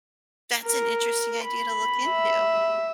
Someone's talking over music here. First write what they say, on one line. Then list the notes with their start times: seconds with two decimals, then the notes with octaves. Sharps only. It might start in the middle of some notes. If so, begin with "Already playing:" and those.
That's an interesting idea to look into.
0.66 A#4
1.44 B5
2.10 E5